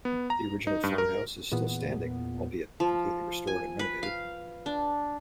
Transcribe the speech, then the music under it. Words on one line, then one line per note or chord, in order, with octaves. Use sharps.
The original farmhouse is still standing albeit completely restored and renovated.
B3
A#5
D#4
G2
A#4
E2 A#2 B3
F3
G#5
B4
F5
D4